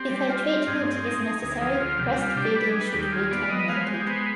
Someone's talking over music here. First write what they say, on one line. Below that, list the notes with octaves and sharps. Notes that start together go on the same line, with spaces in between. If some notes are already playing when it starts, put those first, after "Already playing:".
If a treatment is necessary, breastfeeding should be terminated.
Already playing: C4 G4
G3
F4
C4
G2 G#4
C4
D#4
D#4
D2 G#4
F3 G#4
D2 F4
C3 G4
G3 F4
D4 G4
G3 B4
G#4
G3
B4
D#2 G4
F4 G#4
B3 D5
B3 D#5
G#3 F5
C5
G#3
G4
B3 C5